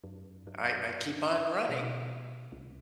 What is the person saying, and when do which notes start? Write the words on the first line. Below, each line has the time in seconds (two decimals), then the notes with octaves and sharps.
I I keep on running.
0.04 F#2
0.47 F#2
1.69 B2
2.52 C2